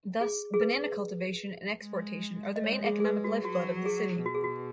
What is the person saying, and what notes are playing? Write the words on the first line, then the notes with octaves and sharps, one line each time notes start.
Thus, banana cultivation and exportation are the main economic lifeblood of the city.
G#4
G#4
B4
G#3
D#5
G#3 C#5
G#4
G#4
B4
F#4
F#3 F#4
G#4
B2 F#4
G#4
F#4